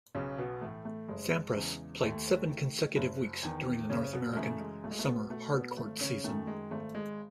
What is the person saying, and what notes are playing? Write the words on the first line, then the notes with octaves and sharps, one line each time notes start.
Sampras played seven consecutive weeks during the North American summer hard-court season.
B1 C#3 C#4
B2 B3
A2 E3 A3
A3
F#1 G#3
E2 C#3 E3
D#2 A3
D#3
F#1
E2 D#3
F#1 C#3 C#4
B2 B3
G#3
F#2 C#3 E3 A3
G#3
B1 A3
G#3
A3
B2 B3
B2 A3
B2 B3
G#1 A3
C#3 C#4
F#2 D#3 A3
G#3
G#1 A3
G#3